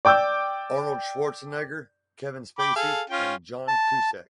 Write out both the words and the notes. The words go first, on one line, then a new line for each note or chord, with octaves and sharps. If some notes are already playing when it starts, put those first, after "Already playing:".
Arnold Schwarzenegger, Kevin Spacey, and John Cusack.
D5 G5 D6 E6 G6
G5 B5 D6
G#4 A4 F5
C#4 F4 G5
A5